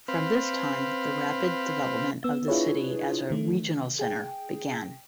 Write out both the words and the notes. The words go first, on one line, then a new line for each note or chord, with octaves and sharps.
From this time the rapid development of the city as a regional center began.
C4 B4 F5
B3 E6
D4 E4 F4 G#4 B4 C#5
D#3 A3
G#4 G5